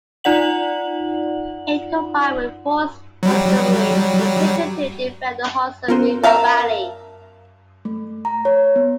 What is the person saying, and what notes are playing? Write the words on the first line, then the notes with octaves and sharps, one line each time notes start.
It combined with Forts Montgomery and Clinton to defend the Hudson River Valley.
D#4 F4 D5 F#5 F#7
F#3 G3
B3 C#4 F4 A#4 C5
A#4 E5 F5 A5
A3
A#5
C#5
B3